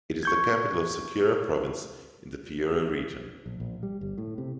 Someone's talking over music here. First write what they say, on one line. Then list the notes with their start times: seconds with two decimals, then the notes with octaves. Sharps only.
It is the capital of Sechura Province in the Piura Region.
0.23 C#6 G6 G#6
3.46 A#1
3.60 A#1
3.83 G3
4.01 G1
4.18 A2
4.38 C3